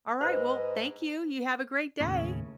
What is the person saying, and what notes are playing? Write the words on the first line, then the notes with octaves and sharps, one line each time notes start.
Alright, well, thank you. You have a great day.
G#2 B4 C5 D#5
D#2 A2 C#3 C#4